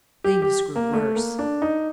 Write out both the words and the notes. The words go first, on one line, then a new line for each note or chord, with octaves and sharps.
Things grew worse.
G4
G4
A#3
A3
A#3
D4
D#4